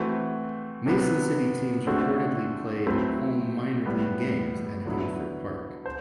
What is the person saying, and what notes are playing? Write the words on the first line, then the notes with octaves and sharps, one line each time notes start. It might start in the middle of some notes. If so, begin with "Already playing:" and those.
Mason City teams reportedly played home minor league games at Hanford Park.
Already playing: E3 A3 C4 F#4
C3 F#3 B3
D3 A3 C4 F#4
F#3 A3 C4 E4 B4
A2 G3 B3
D3 F#3 B3 E4
C5